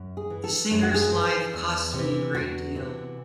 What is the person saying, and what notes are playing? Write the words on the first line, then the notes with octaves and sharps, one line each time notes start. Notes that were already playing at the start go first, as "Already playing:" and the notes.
The singer's life cost me a great deal.
Already playing: F#2
G#4
E3
A4
F#2 G#4
F#4
G#4
E3
E2
C3 E3
E2 F#4
C3 E3